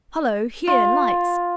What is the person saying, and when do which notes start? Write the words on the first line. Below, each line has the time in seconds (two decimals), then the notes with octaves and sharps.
Hollo, here, lights!
0.67 F4